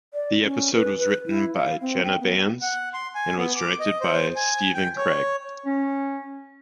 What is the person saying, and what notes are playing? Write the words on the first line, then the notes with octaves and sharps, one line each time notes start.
The episode was written by Jenna Bans and was directed by Stephen Cragg.
D5
C#4
B4
B4
E4
F5
C4
G5
B3
F#5
C6
G#5
B3
D6
D#5
C5
G#5
G5
C#5
C#4